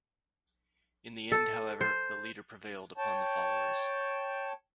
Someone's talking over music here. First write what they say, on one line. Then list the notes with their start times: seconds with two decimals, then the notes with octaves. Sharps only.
In the end, however, the leader prevailed upon the followers.
1.32 A4
1.81 C5
2.98 C#5 G5 A5